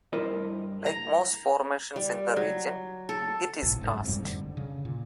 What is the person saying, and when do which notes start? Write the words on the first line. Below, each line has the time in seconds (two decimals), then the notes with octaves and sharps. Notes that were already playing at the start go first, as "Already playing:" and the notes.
Like most formations in the region, it is karst.
0.13 G2 E4 A#4 C5 D#5
0.86 A#5
1.96 G3
2.36 F#3
3.09 A4
3.63 B1 A2 C3
3.81 F#1 G#2
4.05 F2 G#2 G3
4.24 D3
4.57 C#3
4.85 A#2